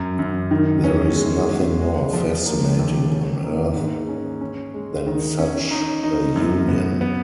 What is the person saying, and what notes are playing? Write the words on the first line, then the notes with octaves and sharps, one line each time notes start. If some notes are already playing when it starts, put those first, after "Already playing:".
There is nothing more fascinating on earth than such a union.
Already playing: F#2
F#2
D#3
C#4
G#3
G#3
G#3
F3
A#3
D#2
C#4
A#3
G#2
C#4
C#4
G#3
D#3
C#4
D#4
D#4
F#2
B3
B3